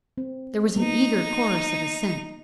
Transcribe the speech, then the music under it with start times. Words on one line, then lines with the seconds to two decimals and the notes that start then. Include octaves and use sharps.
There was an eager chorus of assent.
0.18 C4
0.76 A#3 B3 D#4 F7